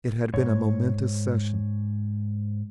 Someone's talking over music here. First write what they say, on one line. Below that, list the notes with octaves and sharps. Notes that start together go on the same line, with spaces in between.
It had been a momentous session.
G#2 C#5